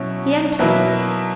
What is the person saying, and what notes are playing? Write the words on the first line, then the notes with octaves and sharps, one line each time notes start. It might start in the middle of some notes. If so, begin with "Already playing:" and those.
He entered.
Already playing: B2 F#3 C#4 E4
B2 F#3 A#3 E4 B4